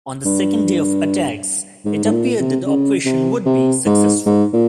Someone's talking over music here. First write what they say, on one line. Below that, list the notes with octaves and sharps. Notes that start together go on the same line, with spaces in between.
On the second day of attacks, it appeared that the operation would be successful.
G2
G#2
G#2
A#2
C3
C#3
C3
C3
G#2
G#2
A#2